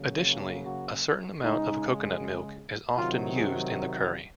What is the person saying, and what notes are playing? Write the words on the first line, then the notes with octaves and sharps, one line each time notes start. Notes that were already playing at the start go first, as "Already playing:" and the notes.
Additionally, a certain amount of coconut milk is often used in the curry.
Already playing: C#3 F#3 A#3
F#4
C#3 G#3 D#4
C3 D#3 F#3 F4
G#4